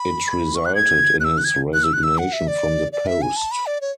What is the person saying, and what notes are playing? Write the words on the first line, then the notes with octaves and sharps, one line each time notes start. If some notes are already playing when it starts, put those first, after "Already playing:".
It resulted in his resignation from the post.
Already playing: B5
C#6
F#6
G#6
F#6
E6
F#6
G#6
F#6
E6
F#6
E6
F#5
E5
D5
D5
E5
G#5
A5
B5
D5
C#5